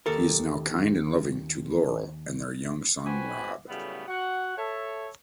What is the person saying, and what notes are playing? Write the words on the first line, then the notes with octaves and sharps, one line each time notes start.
He is now kind and loving to Laurel and their young son, Rob.
D#2 A4 A#4
B3 C4 F#4 C5 G#5 B5
A2 C#3 F#3 G3 A3 B3
F#4 F#5
A4 C#5 E5